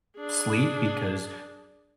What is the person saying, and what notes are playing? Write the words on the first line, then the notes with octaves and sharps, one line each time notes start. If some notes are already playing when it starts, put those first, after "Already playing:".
sleep, because
D4 G#4